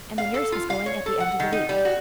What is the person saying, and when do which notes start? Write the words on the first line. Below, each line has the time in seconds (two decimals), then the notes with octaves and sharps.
And the nurse was going at the end of the week.
0.18 F5
0.34 A4
0.52 F4
0.70 F5
0.86 C#5
1.06 A4
1.20 F#5
1.40 D#3
1.52 D#4
1.69 G3
1.85 F#4